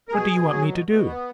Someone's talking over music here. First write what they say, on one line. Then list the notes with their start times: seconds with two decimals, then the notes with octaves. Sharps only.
"What do you want me to do?"
0.08 A#4
0.13 B2 G#4
0.31 B2
0.51 F#3
0.69 B2
0.87 B2
1.06 B3